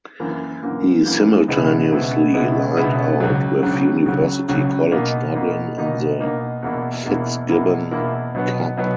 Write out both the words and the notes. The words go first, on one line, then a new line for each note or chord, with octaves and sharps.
He simultaneously lined out with University College Dublin in the Fitzgibbon Cup.
F#2 E3 A#3
F#2 E3 A#3
F#2 E3 A#3
C#2 B2 G#3 B3 E4
C#2 B2 G#3 B3 E4
C#2 B2 G#3 B3 E4
C#2 B2 G#3 B3 E4
C#2 C#3 F#3
C#2 C#3 F#3
C#2 C#3 F#3
C#2 C#3 F#3
B2 A#3 D#4
B2 A#3 D#4
B2 A#3 D#4
B2 A#3 D#4
E2 B2 A#3 E4
E2 B2 A#3 E4
E2 B2 A#3 E4
E2 B2 A#3 E4
B2 F#3 B3
B2 F#3 B3